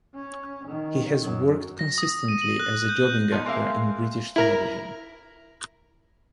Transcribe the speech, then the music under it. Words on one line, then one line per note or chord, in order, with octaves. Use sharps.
He has worked consistently as a jobbing actor in British television.
C#4
D#3
F#2
A#6
D#6
D#7
F#7
F#6
G6
F3 B3 D#4
G#3 A#3 C4 E5 F5
E4 A#4 A#5